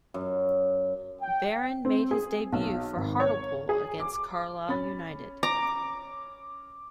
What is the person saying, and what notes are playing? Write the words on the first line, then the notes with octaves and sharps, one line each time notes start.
Barron made his debut for Hartlepool against Carlisle United.
F#2
G5
C4
G#4
B1
G#1
C#5
G#4
D6
C#4 B5 A6
A#5 D6